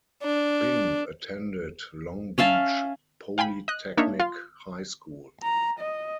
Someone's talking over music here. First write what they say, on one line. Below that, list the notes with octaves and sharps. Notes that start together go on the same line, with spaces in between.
Bing attended Long Beach Polytechnic High School.
D4
C#4 E5 F5 A5
F5 G5 G#5 B5
D#5 F#6
A#3 D4 D#4 C#5 E5
F4 F5 C6
A#5
D#5